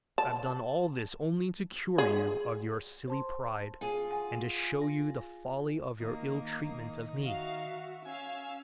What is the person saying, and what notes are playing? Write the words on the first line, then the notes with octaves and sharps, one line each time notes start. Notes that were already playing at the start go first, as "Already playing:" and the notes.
I have done all this only to cure you of your silly pride, and to show you the folly of your ill-treatment of me.
A5
G#4
C5 A5 C6
F4 G#4 G#5
F#5 G#5
A#6
D#3 A#3
F#4 E5 F5
C#4 F5 G#5 E6